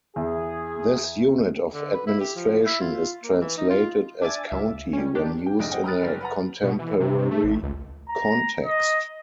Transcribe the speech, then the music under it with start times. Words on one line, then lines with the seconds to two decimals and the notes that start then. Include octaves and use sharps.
This unit of administration is translated as "county" when used in a contemporary context.
0.16 E2 G#4
1.74 D3
1.94 B4
2.07 E4
2.21 G4
2.36 F3
2.66 E4
2.81 F4
3.23 A#3
3.41 E3
3.58 D#4
3.70 F4
4.21 D4 D5 E5 G#5 D6 A6
4.47 C#2 E5 F5
4.93 G3 C#4
5.15 D#3 D4 G4 G5
5.46 G5
5.59 F1 C2 G#2 D4 D#5 D7
5.72 C4 D#5 F#5 G5
5.84 A#5 B5 D#6 F6 F#6 A6
6.00 F#1 G3 A#4
6.21 B4 F#5 A#5
6.63 B2
6.79 E3
7.00 C3
7.18 C3
7.31 A3
7.44 A1
7.63 C#2
8.09 A#5
8.65 D#5